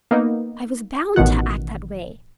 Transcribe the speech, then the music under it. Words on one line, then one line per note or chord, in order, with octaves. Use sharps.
I was bound to act that way....
A#3 B3 D#4
A1 B2 D#3 F#5